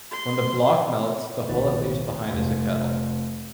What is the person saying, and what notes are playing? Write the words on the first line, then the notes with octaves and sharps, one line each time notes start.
When the block melts, the hole it leaves behind is a kettle.
C6
D#1 A#1 D#3 B4 A6
F1